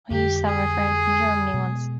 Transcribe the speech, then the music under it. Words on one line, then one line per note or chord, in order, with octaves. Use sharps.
I used to have a friend from Germany once.
F2 D3 G3 G4
G#4
B2 G#3 B3